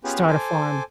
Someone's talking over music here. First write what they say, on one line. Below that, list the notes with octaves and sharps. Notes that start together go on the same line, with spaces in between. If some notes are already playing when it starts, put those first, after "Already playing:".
Start a farm.
B3 C#4 F4 G4 G#4 B4
A4 C5 G#5 D6